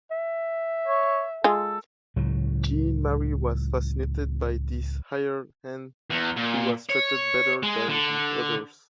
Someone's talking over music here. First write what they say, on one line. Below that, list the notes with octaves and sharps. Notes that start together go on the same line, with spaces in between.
Jeanne-Marie was fascinated by this hired hand who was treated better than the others.
E5
C#5
G#3 F4 A4
C#2 A2 F#3
E2
A#2
C#5
G#3
D3